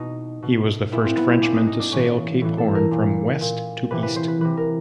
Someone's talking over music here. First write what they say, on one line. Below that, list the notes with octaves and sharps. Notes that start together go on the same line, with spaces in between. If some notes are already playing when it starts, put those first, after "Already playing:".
He was the first Frenchman to sail Cape Horn from west to east.
Already playing: B2 D#4
B2
A#2 E4
C4
B3
C4
A#2 D4
D#4
D#4
D4
A2 E3 C#4
A2 E3
A4
A#4
A#2
A#2
C3 E3 B4
B4
C5
B4
C3 E3 B4
A#4